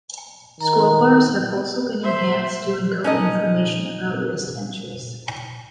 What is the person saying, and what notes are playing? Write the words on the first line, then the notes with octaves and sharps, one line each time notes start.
Scrollbars have also been enhanced to encode information about list entries.
D#3 A#5
C5 E5
C#4 D#4 D#5